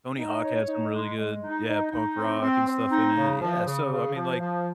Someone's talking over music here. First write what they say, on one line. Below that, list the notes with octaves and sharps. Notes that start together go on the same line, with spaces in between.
Tony Hawk had some really good, yeah, punk rock and stuff in it. Yeah, so I mean, like
D#4
C#5
D#4
G#3
G#3
D#4
D#4
D#4
C4
C4
C4
D#4
C#3
F3
C#3
C#3
F3
F3